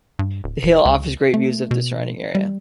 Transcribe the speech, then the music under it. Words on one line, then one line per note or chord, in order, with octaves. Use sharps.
The hill offers great views of the surrounding area.
G2
D1
D#1
C#2
A3
B2
G3